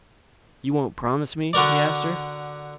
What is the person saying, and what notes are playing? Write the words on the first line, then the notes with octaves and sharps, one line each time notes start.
"You won't promise me?" he asked her.
D3 F#4 A#4 D5